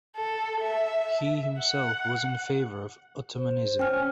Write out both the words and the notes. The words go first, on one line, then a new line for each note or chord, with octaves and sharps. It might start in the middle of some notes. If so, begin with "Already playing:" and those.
He himself was in favour of Ottomanism.
A4
E5
F#5
C5
C#4 G5 G#5 F6